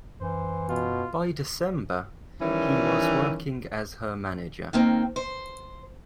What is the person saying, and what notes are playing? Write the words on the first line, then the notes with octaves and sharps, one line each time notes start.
By December, he was working as her manager.
F#2 E3 C5
B2 F4
D#3 E3 G3 C#4
D#3 A#3 C4
C5